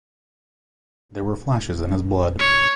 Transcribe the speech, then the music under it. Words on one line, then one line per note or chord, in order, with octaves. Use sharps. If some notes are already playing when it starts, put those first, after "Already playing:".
There were flashes in his blood.
C#5